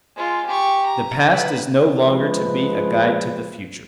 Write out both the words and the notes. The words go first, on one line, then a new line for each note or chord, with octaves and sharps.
The past is no longer to be a guide to the future.
G#3 F4
G4 C#6
A#5
B4
F3 G#3 B4